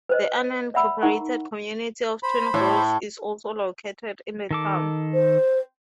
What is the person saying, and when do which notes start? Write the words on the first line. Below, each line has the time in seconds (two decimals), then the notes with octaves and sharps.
The unincorporated community of Twin Grove is also located in the town.
0.09 B4 C5 D#5
0.74 D5 E5 F#5 B5 E6
1.02 D#4 A#4 F#5 A#5 C#6
2.23 C5 B5
2.54 A2
4.51 D#3 A4 D6
5.14 C5